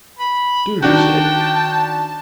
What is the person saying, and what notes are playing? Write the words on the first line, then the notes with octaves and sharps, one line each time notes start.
"Do!" he said.
B5
D#3 D4 F#4 G5 A5